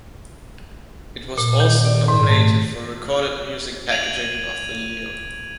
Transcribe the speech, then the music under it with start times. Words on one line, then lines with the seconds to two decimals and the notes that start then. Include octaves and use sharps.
It was also nominated for Recorded Music Packaging of the Year.
1.38 A#2
1.60 D#3
1.85 D5
2.08 G#2
2.29 A3
3.90 G#6 D7 D#7 F7 F#7